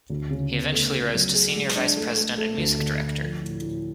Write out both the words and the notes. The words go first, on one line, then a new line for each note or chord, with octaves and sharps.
He eventually rose to Senior Vice-President and Music Director.
D2
C#3
B3
A3
A3
F#3
G#4
G#3
D4
A3
A3
A3
D2
D3
D3
F3
A2
A2